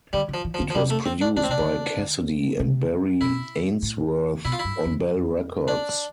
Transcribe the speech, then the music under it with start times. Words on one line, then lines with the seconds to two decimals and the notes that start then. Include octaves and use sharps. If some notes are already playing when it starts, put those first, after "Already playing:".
It was produced by Cassidy and Barry Ainsworth on Bell Records.
0.13 D3 G3
0.29 D3
0.34 F3
0.45 E3
0.54 F3
0.60 D3
0.70 F3
0.75 C3 G3
0.90 A3
1.06 C4
1.21 D4
1.36 D3 D4
1.44 C4
1.49 C3 D4
1.60 D3
1.98 D3
2.60 C3
3.21 B2 E4
3.82 A2
4.45 B2 E4
4.52 F4
4.59 E4
4.65 G2
4.86 F2
5.68 D4